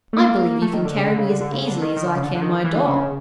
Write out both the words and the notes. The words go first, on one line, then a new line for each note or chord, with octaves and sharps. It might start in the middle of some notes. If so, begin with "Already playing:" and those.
"I believe you can carry me as easily as I can my doll."
A3
A#3
A3
D#3
D3
C#3
D3
C#3
D3
D3
C#3
D3
D#3
D#3
D3
C#3
D3
D3
D#3
E3
E3
D3
C#3